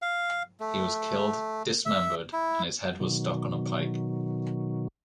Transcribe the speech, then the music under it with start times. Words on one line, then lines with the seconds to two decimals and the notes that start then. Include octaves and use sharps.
He was killed, dismembered and his head stuck on a pike.
0.02 F5
0.60 A3
1.85 E5
2.33 E4
3.00 B2 D#3 F#3